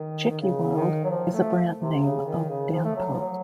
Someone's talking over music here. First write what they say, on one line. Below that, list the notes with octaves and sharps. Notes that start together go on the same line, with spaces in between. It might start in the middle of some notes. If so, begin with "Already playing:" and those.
Chicky World is a brand name of Danpo.
Already playing: D#3
D#3
C#3
D#3
F#3
F3
A3
C3
C#3
D#3
C#3
F3
A3
F#3
F3
F#3